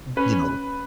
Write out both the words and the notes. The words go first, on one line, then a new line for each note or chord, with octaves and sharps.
n you know
C#4 B4